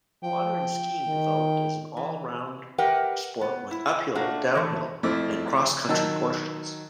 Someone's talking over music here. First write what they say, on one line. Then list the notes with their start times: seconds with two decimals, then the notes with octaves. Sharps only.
Modern skiing developed as an all-round sport with uphill, downhill and cross-country portions.
0.23 F3 G5
1.08 D#3
1.97 E3
2.78 G4 A#4 B4 E5 F#5 G5
3.41 B3
3.71 E4
4.15 A3 A#3 D4 F#4
4.55 E3 A3
5.03 F2 F3 A3 E4 D6
5.88 D#3 F#3 A5 E6